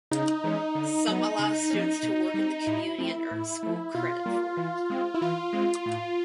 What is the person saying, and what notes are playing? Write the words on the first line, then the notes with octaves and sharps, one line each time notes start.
Some allow students to work in the community and earn school credit for it.
C#3 D#4
E3 G#3 C#4
D3
F#3 B3
C#3
F3 A#3 C#4
B2
G3 C4
A2 E4
F3 A3 C4
A2
F3 A3
B2 F4
G3 A#3
E3
G#3 C4
E4
E3 F4
G#3 C4
A2